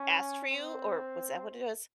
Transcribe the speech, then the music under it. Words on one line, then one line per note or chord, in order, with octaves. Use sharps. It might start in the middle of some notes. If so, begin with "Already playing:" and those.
asked for you? Or was that what it was?
Already playing: C#4
C4